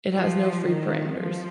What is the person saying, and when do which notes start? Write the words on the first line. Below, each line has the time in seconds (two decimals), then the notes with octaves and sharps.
It has no free parameters.
0.14 F3
0.68 D#3
1.20 F3